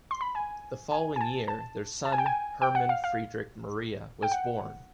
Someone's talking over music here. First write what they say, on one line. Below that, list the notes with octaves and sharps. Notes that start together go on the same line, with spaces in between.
The following year, their son Hermann Friedrich Maria was born.
C6
B5
G#5
G#5
G#5
A5
A5
A5
G#5
G5
G#5
G5
F#5
F5
F5
G5
F#5